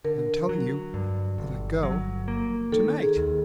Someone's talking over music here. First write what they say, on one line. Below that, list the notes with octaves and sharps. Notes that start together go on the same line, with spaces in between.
"But I'm telling you that I go tonight."
D3 A#4
F#3
G2
G1
F#3
A#3
D#3 A4
G#4
D#2